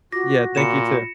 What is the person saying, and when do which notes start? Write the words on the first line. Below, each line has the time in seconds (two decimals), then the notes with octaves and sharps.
Yeah, thank you, too.
0.12 F4 F#4 D6 A#6
0.55 A#2 F4 B5 A#6 C#7 E7